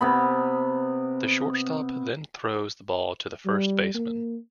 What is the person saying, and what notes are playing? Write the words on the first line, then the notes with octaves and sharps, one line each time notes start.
The shortstop then throws the ball to the first baseman.
C3 B3 B5
G3
A#3